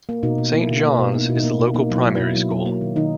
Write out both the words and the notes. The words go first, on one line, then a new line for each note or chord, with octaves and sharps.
Saint John's is the local primary school.
A#3
B2 D#4
B2
A#3 E4
B2
A#3
B2
A#3 D#4
B2 E4
D#4
A#3
B2
A#3 D#4
F#3
E4
F#3
B2 E4
F#3 E4
F#3
A#3
D#3
D#3 D#4